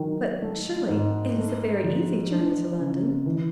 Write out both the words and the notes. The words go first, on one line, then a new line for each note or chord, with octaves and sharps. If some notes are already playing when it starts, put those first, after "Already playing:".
But surely, it is a very easy journey to London.'
Already playing: D#3 F#3
A3
G#2
A3
F3
D4
C#3
E3